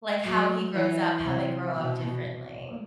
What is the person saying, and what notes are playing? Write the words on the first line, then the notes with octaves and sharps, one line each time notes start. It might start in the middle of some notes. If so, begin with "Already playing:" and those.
like, how he grows up, how they grow up differently.
F#3
E3
C3
B2